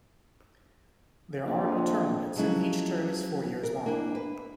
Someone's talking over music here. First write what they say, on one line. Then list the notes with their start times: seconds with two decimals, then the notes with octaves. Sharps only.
There are no term limits, and each term is four years long.
1.46 A#1 F2
2.36 F3 F#3 G#3 C#4 E4
3.63 A#4
3.86 A#3 D4 E4
4.15 B4